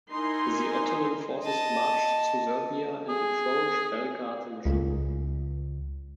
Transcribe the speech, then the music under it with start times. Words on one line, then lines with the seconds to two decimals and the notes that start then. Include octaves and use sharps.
The Ottoman forces marched through Serbia and approached Belgrade in June.
0.11 D#4 E4 A#4 G#5 C6
1.44 D#5 A5
3.09 G#4
4.65 C#2